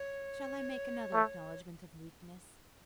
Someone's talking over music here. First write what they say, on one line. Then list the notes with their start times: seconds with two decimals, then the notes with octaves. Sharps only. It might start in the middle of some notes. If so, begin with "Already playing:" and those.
Shall I make another acknowledgment of weakness?
Already playing: C#5
1.14 A3